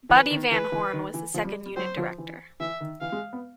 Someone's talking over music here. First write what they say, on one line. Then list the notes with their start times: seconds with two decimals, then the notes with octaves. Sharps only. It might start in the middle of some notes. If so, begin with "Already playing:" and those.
Buddy Van Horn was the second unit director.
0.10 E3 B4
0.31 D#3
0.51 E3 B4
0.72 E3
0.93 D#3
1.14 E3
1.34 F3
1.45 G3
1.66 G3
1.76 F#3 C5
1.97 F3
2.18 E3
2.60 E3 E5
2.81 D#3
3.01 E3 F5
3.12 G#3
3.33 B3